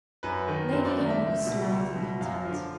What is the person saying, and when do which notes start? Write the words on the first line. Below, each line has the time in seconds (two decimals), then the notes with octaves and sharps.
Lady Henry smiled in contempt.
0.23 F#2 B4
0.48 D#3
0.73 F#2 C5
0.85 D5
0.97 D#3 D5
1.10 E5
1.22 C#2
1.47 B2
1.72 C#2
1.96 B2
2.21 F#2 F5
2.45 D3 F3